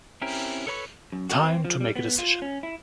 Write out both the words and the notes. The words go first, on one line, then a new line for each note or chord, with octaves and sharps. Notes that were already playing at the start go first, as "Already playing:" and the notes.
Time to make a decision.
C4 C#4 E4 G4 A#4
A4 B4 C#5 B5 C#6
F#2
F#4
C4
F3
G3
B3
F4
C#4
E4